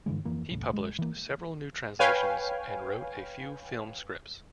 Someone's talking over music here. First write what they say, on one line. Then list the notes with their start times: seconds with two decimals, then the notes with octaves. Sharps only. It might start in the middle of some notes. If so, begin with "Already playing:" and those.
He published several new translations and wrote a few film scripts.
0.06 G2 D3 E3 G#3
0.25 F2 E3 A#3
0.51 E1 C#2 A2
0.71 D1 G#3
0.99 E3 A#3
1.99 B4 C#5 F5 G5 G#5